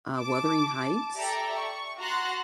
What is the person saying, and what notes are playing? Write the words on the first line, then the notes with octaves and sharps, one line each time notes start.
uh, Wuthering Heights.
A5 D6
A5 D6
G4 A4 D5 E5 A#5
C#6
F#4 F#5 A#5 C6 F#6 A6